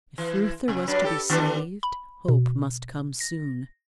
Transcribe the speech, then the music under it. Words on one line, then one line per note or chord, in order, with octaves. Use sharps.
If Reuther was to be saved, hope must come soon.
E3
C3
G2 F#3 D4
G4 A4
D#3 B3 D4
B5
B2
A#6